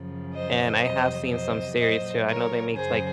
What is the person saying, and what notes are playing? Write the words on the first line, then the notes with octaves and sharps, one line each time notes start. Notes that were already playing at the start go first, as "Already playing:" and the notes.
And I have seen some series too. I know they make like
Already playing: F#2 C#3 F3
C5 D#5
F2 C3 F#3 C5 D#5
C5 D#5
A#2 F#3 C5 D#5
A#4 C#5
F#2 C#3 F#3 G#4 C5